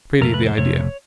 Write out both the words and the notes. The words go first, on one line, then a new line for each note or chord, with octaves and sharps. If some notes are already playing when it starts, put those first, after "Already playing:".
Pretty, the idea!
F2 C3 A3 A#4
B4
C5
F2 C3 A3 C#5